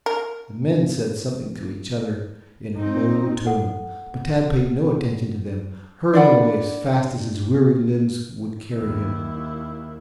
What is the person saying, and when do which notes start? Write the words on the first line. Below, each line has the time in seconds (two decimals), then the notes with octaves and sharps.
The men said something to each other in a low tone, but Tad paid no attention to them, hurrying away as fast as his weary limbs would carry him.
0.06 A#4
2.76 C4 D#4
3.47 A4 F#5
6.13 D4 D5 F#5 B5
8.74 D#2 E4